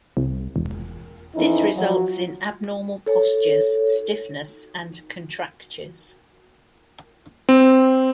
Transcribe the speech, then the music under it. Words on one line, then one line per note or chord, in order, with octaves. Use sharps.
This results in abnormal postures, stiffness and contractures.
C2
E1
F2 E3 C#4 D#4 E4
F3 F#3
A4 C#5
C4